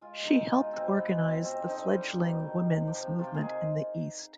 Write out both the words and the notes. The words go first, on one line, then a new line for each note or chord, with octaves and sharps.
She helped organize the fledgling women's movement in the East.
G#3 F4
G#3
D#4
B2
G#3 F4
G#3
C4
B2
G#3 B3
G#3
C4
B2
F3 C4
D3
D#4
D3
G3
G3
B2
D#3
C3
C3
F3 G4
C3
C3 F4
G4
D#3 G#4